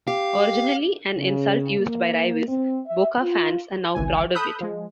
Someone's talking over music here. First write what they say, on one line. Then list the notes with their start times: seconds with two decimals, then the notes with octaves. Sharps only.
Originally an insult used by rivals, Boca fans are now proud of it.
0.08 G4 F5
1.16 C#3
1.78 A#3
2.47 C4
2.85 E5
3.21 F4
3.95 G#1 C#2 E3 G#5
4.35 A4 B5 D#6 E6 F#6 G6
4.61 F3 G#3